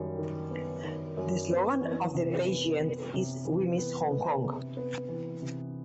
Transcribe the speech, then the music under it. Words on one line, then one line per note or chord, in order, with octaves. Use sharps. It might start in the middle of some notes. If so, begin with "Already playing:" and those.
The slogan of the pageant is "We Miss Hong Kong".
Already playing: F#2 D#3 G3
D#3
B3
D#3
F#2
B3
E3
C3
B3
B3
C3
E3
B3
B3
C3
B3
E3
C3